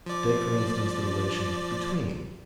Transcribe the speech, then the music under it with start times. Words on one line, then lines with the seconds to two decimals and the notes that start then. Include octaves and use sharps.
Take, for instance, the relation 'between'.
0.06 F3 D5